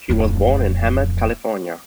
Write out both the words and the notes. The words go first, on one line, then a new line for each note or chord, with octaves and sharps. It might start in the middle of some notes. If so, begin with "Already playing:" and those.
She was born in Hemet, California.
D1 F2